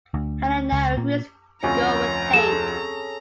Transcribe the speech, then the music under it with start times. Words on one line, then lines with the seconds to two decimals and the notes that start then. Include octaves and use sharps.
Helena agrees to go with Kate.
0.14 D2
0.72 C#2
0.97 A#2
1.63 F1 D2 F3 C#4 G#5 A#5
2.34 G#4 A4 E7